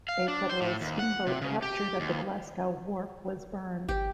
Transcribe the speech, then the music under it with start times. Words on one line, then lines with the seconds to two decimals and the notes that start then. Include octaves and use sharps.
A Federal steamboat captured at the Glasgow wharf was burned.
0.09 F5
0.28 D4
0.50 C5
0.61 A2
0.81 D#2
0.99 F#5
1.27 C3
1.42 C#3
1.62 G4
2.00 D#2
3.89 G#1 G4